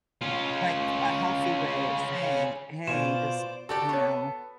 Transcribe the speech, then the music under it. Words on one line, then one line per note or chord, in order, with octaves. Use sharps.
like, a healthy way of saying, "Hey. Just" You know?
C#4 F4
B2 F4 C5 D5 G#5 E7
F#4 G4 A4 D5
B3 C#5 C#6